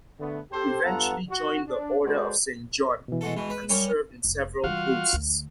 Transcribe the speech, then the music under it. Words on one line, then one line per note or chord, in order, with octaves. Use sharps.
He eventually joined the Order of Saint John, and served in several posts.
D3 A3 B3
G4 A4 C5
G2 B3 F4 A4 F#5 A#5
F#4
D4
G#3 F#4 A4 B4 C5 D5
B2 E3
G#3 F#4 A4
B2 E3 G#3
B4 B5
F#2 G3 C#4
F1
E3 G3 F4 F#4 F5
D2